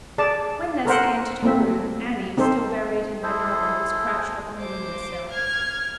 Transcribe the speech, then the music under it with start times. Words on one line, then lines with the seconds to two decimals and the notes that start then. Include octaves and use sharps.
When Leslie entered her room, Annie, still buried in her novel, was crouched up on the window-sill.
0.18 G#4 D5 A5
0.85 A4 A#4 C5 F#5
1.42 A3 A#3 C4 E4 E5
2.37 C4 D#4 A4 C5
3.23 E4 G#4 A4 C5
4.58 C5 D6
5.30 F6 G#6